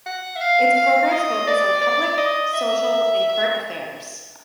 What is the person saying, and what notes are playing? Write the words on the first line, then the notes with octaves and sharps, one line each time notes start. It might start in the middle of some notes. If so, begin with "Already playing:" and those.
Its programs focus on public, social and current affairs.
F#5
E5
F5
F5
D#5
D5
D5
D#5
E5